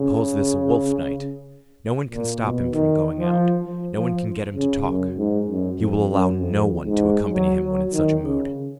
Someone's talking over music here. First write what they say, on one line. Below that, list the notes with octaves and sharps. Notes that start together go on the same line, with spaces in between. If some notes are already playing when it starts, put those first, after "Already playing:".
He calls this a 'wolf night.' No one can stop him from going out; no one can get him to talk; he will allow no one to accompany him when in such a mood.
Already playing: C#3
A#2
B2
D#3
F3
F3
F3
C#3
F#2
G#2
F#2
F2
F#2
F2
G#2
F#3
F#3
D#3
C#3